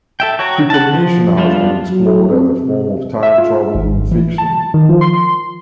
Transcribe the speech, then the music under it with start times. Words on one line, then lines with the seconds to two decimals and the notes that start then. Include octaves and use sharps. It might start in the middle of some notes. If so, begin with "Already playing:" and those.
Precognition has been explored as a form of time travel in fiction.
0.20 A4 E5 G5
0.39 F#4 C#5 G5 A#5
0.70 F#5 A5
0.93 F3
1.37 G3 B3 D4 F4
1.90 F#3
2.31 C4
2.64 C3
3.23 E5
3.38 F4
3.75 G#1
4.11 E3
4.38 A5
4.74 D#3
4.89 F3
5.01 C6